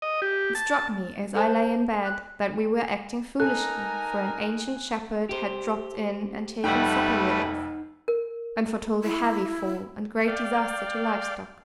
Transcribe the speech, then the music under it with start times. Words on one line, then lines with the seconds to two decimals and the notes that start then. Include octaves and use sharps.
It struck me, as I lay in bed, that we were acting foolishly; for an ancient shepherd had dropped in and taken supper with us, and foretold a heavy fall and great disaster to live stock.
0.02 D#5
0.22 G4
0.55 A5
1.35 A4 B4 C5 A5
2.04 F#6
3.40 D#4 A4 A#4 G#5 A#5 F#6
5.29 G4 C5
6.64 F1 F2 G3 A3 D#4 B4 F#5 G5
8.08 A#4
9.04 E4
10.28 D5 F5 G5